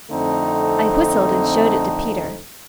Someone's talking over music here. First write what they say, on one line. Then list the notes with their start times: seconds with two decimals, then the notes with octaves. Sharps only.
I whistled and showed it to Peter.
0.12 F2 D3 A3 C4 D#4